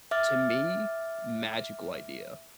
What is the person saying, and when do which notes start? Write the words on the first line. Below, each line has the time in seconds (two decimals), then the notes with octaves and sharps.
to me, magical idea,
0.11 E5 D6 F6 A6